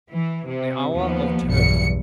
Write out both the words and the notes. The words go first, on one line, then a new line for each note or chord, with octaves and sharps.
The hour of Toad!
E3
C3
D#2 F3 B3
B1 E2 G2 C#7